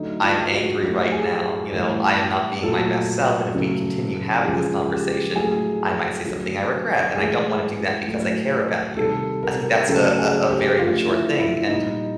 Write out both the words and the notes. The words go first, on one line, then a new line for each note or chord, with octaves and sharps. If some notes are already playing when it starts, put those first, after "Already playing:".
I'm angry right now," you know, "I am not being my best self, and if we continue having this conversation, I might say something I regret, and I don't wanna do that because I care about you." I think that's a a a very mature thing and,
Already playing: D3 F#3 A3 D#4
F4
F#4
A2 F#3 A3 G4
G#4
A2 E3 G3
A#2 F#3 A3 A4
C#3 F#3 A3
C#3 F3 G#3 G#4
G4
A2 F#3 A3 G#4
D3 F#3 A3
A2 E3 G#3 G#4
A2 F#3 A3
C3 D#3 G3 A4
A#4
C#3 F#3 A3 A4
G#4
G4
D3 F3 A3 F4
E4
E4
A#2 G3 D#4